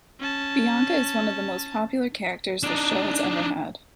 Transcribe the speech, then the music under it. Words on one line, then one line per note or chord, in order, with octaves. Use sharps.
Bianca is one of the most popular characters the show has ever had.
C#4 A5
D4 D#4